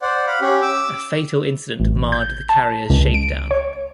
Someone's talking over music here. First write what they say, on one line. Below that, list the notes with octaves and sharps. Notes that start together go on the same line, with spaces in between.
A fatal incident marred the carrier's shakedown.
C5 D5 F#5
F5 F#5 B5
C#4 G4
D6 E6
A1
G6
A5
C#2
D7
C#5